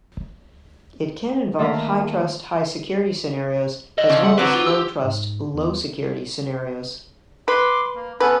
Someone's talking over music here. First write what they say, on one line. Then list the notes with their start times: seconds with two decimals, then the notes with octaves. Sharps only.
It can involve high-trust, high-security scenarios as well as low-trust, low-security scenarios.
1.59 D#3 A3 A#3 A4 A#4 B6
3.98 A4 D5 D#5
4.09 C#3 E3 F3
4.23 G3 F#5
4.38 D3 F#3 C4 B4 D6
4.54 F4
4.66 G4 E6
5.04 G#2
5.54 E2
7.48 B4 C6 D6
7.95 A#3
8.20 B3 C#4 A4 B4